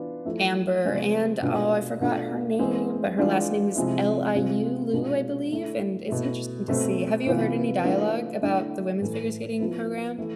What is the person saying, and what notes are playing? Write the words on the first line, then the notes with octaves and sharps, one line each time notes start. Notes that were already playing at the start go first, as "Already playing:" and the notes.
Amber and oh, I forgot her name, but her last name is L-I-U, Liu, I believe, and it's interesting to see. Have you heard any dialogue about the women's figure skating program?
Already playing: E3 B3 D4 F4
F3 A3 E4
C3 F3 G#3 B3
B2 A3 D4 F4
B2 A3 D4 F4
E3 G#3 C4
E3 G#3 D4 F4
C3 F3 G#3 C4 E4
C3 G#3 C4 F4
B2 G#3 D4 F4
D3 A3 E4
B2 A3 E4
B2 A3 C4
C3 E3 B3 F4
E3 A3 D4 F4
D3 A3 E4
A2 E3 A3
F3 B3 E4
E3 A3 E4